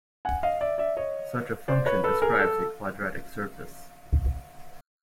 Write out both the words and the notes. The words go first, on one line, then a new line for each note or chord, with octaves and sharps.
Such a function describes a quadratic surface.
F#5 G#5
D#5 F5
D5 E5
D5 E5
C#5 D#5
C5 D5
B4 C#5
A4 B4
G#4 A#4
A4